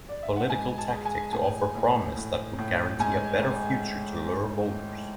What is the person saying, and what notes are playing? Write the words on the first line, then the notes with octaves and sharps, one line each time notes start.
Political tactic to offer promise that would guarantee a better future to lure voters.
D5
E5
F#5
G#2 G#5
A5
G#3
G#5
A2 G#5
A2
A2
A2
G#2 G#5
G#2